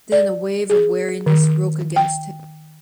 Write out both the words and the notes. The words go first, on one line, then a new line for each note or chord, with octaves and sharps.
Then a wave of weariness broke against him.
D5
G#4
D#3
G5